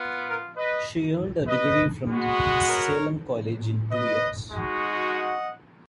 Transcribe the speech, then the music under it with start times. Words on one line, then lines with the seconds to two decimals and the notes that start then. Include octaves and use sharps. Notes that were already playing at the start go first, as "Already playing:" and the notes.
She earned her degree from Salem College in two years.
Already playing: B3 F4
0.26 A#4
0.55 B4 D#5
1.46 B4 D#5
2.08 G#3 B3 F#4
2.69 A#4 C#5
3.90 B4 D#5
4.51 G#3 D#4 F#4
5.12 D#5 F#5